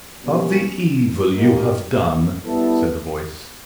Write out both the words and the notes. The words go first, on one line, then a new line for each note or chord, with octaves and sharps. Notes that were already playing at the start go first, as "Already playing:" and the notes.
"Of the evil you have done," said the voice.
B2 G3 A#3 C#4
A#3 D#4 G4 A#4
G3 B3 E4 A4